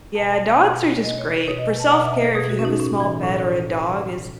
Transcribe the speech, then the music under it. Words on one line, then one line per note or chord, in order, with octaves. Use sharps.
Yeah, dogs are just great. For self-care, if you have a small pet or a dog is
B2 A5
A5
G#5
B2
G#5
B2 D#5
C#5
B4
B2 C#5
D#5
G#5
A5
B2 F#5
E5
D#5
A4
B2 G#4
F#4
C#4
D#4
A2 C#4
E3
A2